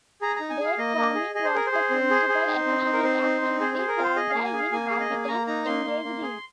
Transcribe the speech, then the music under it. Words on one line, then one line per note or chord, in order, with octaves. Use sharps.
Date farming was the principal economic activity that the inhabitants engaged in.
G#4 A#5
D#4 A#5
G#5
G#4
F5
A#3 D#5
A#3
G#4
G#4 D#5
C5
G#4 A#4
C5
G#4
C4
G#4
G#4
D#4
C4
D#4
A#4
C4 C5
D#4
C4
G#4 C5
G#4 C5
A#4
F4 C5
G#4 D#5
F5
A#3
G#5
G#4
F5
A#3 G#5
G#4 F5
D#5
A#3
G#5
A#3 A#5
D#4 A#5
A#3 C6
A#3
A#3
G#4